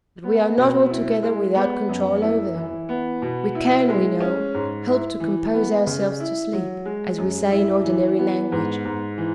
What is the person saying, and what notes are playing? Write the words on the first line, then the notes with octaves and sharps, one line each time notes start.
But we are not altogether without control over them. We can, we know, help to compose ourselves to sleep, as we say in ordinary language.
B3
B2
E4
G#3
B3
F#2
E4
E3
B3
B2
E4
G#3
C#4
G#2
E4
E3
B3
C#3
E4
F#3
G#3
F#2
E4
E3
B3
G#2
G#2
E3